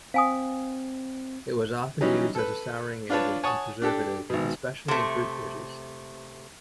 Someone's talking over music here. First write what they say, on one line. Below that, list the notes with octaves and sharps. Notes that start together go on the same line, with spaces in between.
It was often used as a souring agent and preservative, especially in fruit dishes.
C4 F5 G#5 D#6
E3 F#3 G3 C#4 D#4
A4 B4
D4 F4 B4 C#5 A5
C#5 F#5 G#5 A5 C#6 D#6
D4 G4 A4
G#1 B2
C3 A3